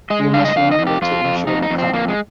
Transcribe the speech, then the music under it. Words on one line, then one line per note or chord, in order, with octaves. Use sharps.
You must remember to insure the car.
G#3 D#5
G2 F5
D#5
F2 F5
D#5
F2
G4
F2 F4
F2
F2 D#4
D#4
F2
C4
F2 A#3
G#3